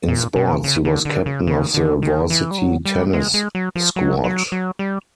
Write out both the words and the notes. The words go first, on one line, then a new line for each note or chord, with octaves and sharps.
In sports, he was captain of the varsity tennis squad.
A#2
B2
C#3
D3
D3
C#3
C#3
D3
D#3
E3
G3
F#3
G3
G#3
G#3
F#3
F3
F#3
F#3
F#3
G3